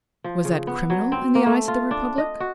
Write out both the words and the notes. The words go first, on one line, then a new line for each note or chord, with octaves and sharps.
Was that criminal in the eyes of the Republic?
F3
C#3
B3
F#3
C4
A#3
A3
F4
D4
D#5
F#4